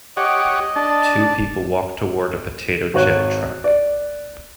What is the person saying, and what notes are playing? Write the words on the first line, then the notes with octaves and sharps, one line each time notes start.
Two people walk toward a potato chip truck.
G4 C#5 D#5 F#5 D6
D4 A5
G#1 F#4 C#5 F#6
D5